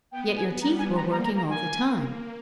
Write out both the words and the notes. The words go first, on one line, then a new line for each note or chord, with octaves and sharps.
Yet your teeth were working all the time.
B3 G5
G#5
G3 A#5
G#5
A#5
A#3 A#5
A#5
A#5
G#5
A#3